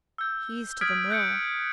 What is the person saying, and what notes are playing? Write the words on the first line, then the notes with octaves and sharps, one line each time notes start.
"He's to the mill."
E6 G6
D#6 F6 G#6 B6 D7
F#6 G6 C#7 D7